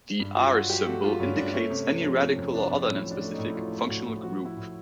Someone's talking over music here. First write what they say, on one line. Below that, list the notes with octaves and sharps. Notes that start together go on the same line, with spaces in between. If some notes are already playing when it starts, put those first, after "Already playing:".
The "R" symbol indicates any radical or other non-specific functional group.
G2
F#3 F4
F#3 F#4
F#3 G4
A3 F#4
F#3 F4
G2 C#4
G2 D4
A3 C#4
C3
C3
F3
C3 C#4
F2
C3 D4
F2
A2 C#4
F#3
D4
A3
A2 D#4
E4
F#3 F4
A3
A2 F#4
A2
F3 F#4
F3
E4
A2